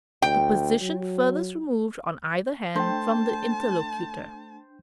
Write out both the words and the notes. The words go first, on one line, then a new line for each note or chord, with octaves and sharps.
The position farthest removed on either hand from the Interlocutor.
D2 G5
F#3
A3 D4 C5 G5 A5